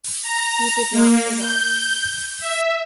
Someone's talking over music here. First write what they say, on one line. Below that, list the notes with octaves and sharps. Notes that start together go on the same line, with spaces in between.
He did not survive.
A#5
A#3
G6
E5